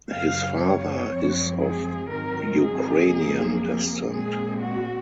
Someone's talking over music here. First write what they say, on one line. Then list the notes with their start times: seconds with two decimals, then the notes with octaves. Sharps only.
His father is of Ukrainian descent.
0.09 F#2 C#3 F#3 F5
0.59 C#5
1.09 F#2 F3 G#3 C4
1.60 G#4
2.10 G#2 D#3 F#3 C4 A#4
2.60 G#4
3.10 F2 C3 F#3 A#3
4.11 A#2 G#3 C4 G#4
4.61 F#4